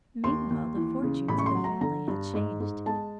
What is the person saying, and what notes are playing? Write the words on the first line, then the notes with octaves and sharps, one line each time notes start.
Meanwhile the fortunes of the family had changed.
D#2 C6
D#2
E3
C#3
A1 B5
C#6
C6
F#3
A#5
D3 A#5
G2
G#2
G#2
G#3 A5